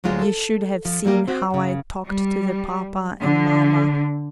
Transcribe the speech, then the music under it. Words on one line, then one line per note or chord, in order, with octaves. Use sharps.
You should have seen how I talked to the papa and mamma.
D2 F#3 G#3 F4
A4
F3
F#3 G3 A#3 G4
C4 F#4
F#2 C#3
G3
D3